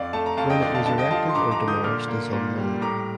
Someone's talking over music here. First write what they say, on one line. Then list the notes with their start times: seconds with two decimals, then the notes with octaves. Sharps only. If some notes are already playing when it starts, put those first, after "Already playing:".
When it was erected or demolished is unknown.
Already playing: F2 D5 F5
0.13 A3 F5 A5
0.26 A#5
0.37 F2 F5 A5
0.50 D#5 G5
0.62 D3 D5 F5
0.74 F5 A5
0.86 G2 F5 A5
0.98 D#5 G5
1.11 F3 F5 A5
1.29 C6
1.35 G2 A#5 D6
1.51 A#5 D6
1.60 D3
1.68 D#6 G6
1.84 A#2 D6 F6
2.08 A#3
2.33 A#2
2.58 G3
2.81 A2 A#5 D6